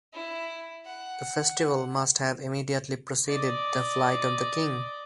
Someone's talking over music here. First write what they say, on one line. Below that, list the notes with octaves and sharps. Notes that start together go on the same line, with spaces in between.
The festival must have immediately preceded the Flight of the King.
E4
F#5
D5 D#5